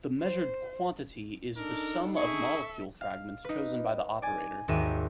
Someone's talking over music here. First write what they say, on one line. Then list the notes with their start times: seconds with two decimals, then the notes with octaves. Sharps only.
The measured quantity is the sum of molecule fragments chosen by the operator.
0.21 C5
1.57 D4 D#4 A4 A#4
2.16 G#4 A4 E5 C#6
3.01 F5
3.45 D#4 B4
4.22 D5 G#5
4.68 G#1 D#2 G#3 A#4 E5 D#7